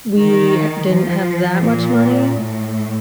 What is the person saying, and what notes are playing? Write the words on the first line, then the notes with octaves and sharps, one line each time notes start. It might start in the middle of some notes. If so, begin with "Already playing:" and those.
we didn't have that much money,
D#3
F3
A#2
A2